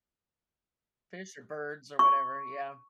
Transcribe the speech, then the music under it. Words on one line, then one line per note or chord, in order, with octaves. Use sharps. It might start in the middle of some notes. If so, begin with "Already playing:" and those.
Fish or birds or whatever, yeah.
C#6